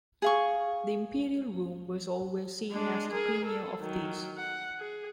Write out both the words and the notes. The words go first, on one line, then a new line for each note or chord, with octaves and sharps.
The Imperial Room was always seen as the premiere of these.
G#4 F5 C#6
G#3 D4
G#4 A#4
A4
D#3 F#3
F#5
G#4